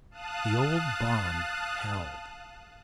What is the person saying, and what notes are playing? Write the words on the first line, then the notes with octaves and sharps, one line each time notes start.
The old bond held.
F5 A5 D#6 F#6